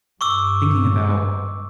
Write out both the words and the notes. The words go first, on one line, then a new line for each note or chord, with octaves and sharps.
thinking about
G2 C#6 D6 E6